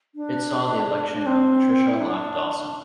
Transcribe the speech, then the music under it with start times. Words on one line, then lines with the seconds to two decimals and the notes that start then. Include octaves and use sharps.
It saw the election of Patricia Lock Dawson.
0.15 D4
1.17 D4
1.26 C4
1.90 E4
2.01 D4